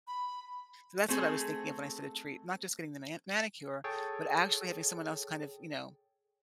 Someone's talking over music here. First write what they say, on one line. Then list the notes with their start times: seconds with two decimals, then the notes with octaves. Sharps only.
So, that's what I was thinking of when I said "a treat," not just getting the man manicure, but actually having someone else, kind of, you know,
0.07 B5
1.08 A3 C4 G#4
3.84 G#4 A4 C#5 G5 A6